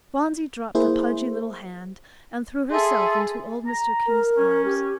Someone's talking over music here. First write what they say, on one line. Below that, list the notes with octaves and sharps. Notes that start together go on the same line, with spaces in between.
Phronsie dropped the pudgy little hand, and threw herself into old Mr. King's arms.
A#3 E4 G#4 C5
G#4 A4 E5 C6
A#5
A#4
C#4
G4